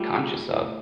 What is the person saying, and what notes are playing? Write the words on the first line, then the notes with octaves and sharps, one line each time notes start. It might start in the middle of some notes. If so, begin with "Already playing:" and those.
conscious of.
Already playing: G3 A3 F4
G#4
A3
E4